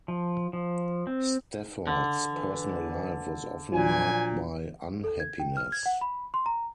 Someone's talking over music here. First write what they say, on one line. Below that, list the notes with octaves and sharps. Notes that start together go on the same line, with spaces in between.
Stafford's personal life was often marked by unhappiness.
F3
F3
C4
D3
E3
A#2 F3 F#3 D4 G#5
A4
G#6
G5
F6
G#6
F#5
B5
C6
A#5